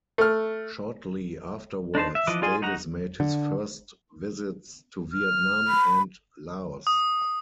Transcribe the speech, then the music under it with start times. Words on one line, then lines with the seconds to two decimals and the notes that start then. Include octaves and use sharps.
Shortly afterwards Davis made his first visits to Vietnam and Laos.
0.18 A3 F6
1.95 D4 D#4 C5 A5
2.15 E5
2.27 E3 F3 B4 D#5 D6
2.42 F4 G#4 D5 G#5 C6
2.62 D#4 F#4 F#5 A#5
3.20 D3
5.14 F6
5.68 B5
6.87 D#6